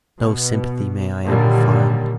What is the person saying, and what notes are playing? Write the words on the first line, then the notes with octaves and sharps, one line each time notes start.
No sympathy may I ever find.
B2
A#2 D3 D#3 F#3 G3 A#3